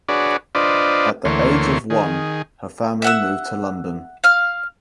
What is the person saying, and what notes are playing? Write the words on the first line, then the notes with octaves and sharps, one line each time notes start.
At the age of one her family moved to London.
D4 F#4 G#4 B4 C#5 D5
D4 F4 B4 C5 D5 D#5
D2 E3 A3 A#3 C#5 C6
D#3 G#4
E5 F#5 E6
F5 F6